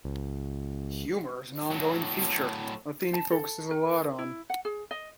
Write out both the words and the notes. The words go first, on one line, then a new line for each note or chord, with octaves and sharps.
Humor is an on-going feature, a thing he focuses a lot on.
C#2
A2 F#3
A5
A4
A#4
E4
F#5
G#4
D#5